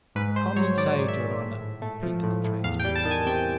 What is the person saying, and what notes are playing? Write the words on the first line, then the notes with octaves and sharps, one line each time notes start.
"Come inside, your honor!" repeated the tradesman, bowing.
G#2 B4
G#2 C5
F#3 C#5
D#3 D5
G#2
E5
G#2
A2
A2
A3
F3
A2
A2
E2 F5
G5
G3
A5
D#3
G#5
C3 G5